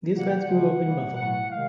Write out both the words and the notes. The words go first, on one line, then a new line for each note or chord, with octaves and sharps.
Nisbet grew up in Buffalo.
C3 E3 G3 A#3
F#5
G5
F#5
C#3 F3 G#3
C3 D#3 G3 A#3
A2 F#3 A3 F#5
C3 D#3 G#3 F5